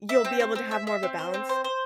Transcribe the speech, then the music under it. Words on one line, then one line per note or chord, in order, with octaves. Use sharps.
you'll be able to have more of a balance.
E5
C4
C4
C4
E5
E5
C4
C5
C4
C5
C5